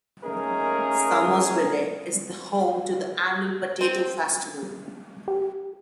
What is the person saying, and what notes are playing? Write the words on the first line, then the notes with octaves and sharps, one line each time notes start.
Summersville is home to the annual Potato Festival.
A3 A#3 C#4 D#4 G#4 A#4
C4
G4